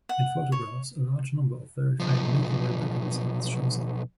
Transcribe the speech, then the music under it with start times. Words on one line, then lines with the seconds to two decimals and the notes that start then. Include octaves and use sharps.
In photographs, a large number of very faint Milky Way background stars shows up.
0.09 F#5
0.52 C#5
2.00 B1 F3